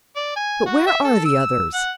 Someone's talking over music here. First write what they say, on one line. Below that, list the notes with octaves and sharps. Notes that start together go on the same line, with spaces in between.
But where are the others?
D5
G#5
F#4
E5
A4
E6
F#5